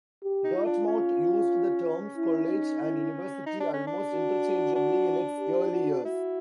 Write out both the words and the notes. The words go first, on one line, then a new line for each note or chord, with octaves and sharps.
Dartmouth used the terms "college" and "university" almost interchangeably in its early years.
G4
D#4
F4
D4
C#4
E4
D#4
E4
D#4
D4
C#4
D4
F#4
D4
G4
F#4
E4 F#4